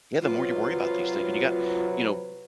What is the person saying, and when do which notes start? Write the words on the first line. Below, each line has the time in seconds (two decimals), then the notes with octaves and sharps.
Yeah, the more you worry about these things, and you got, you know,
0.21 C3 F#3 F4 B4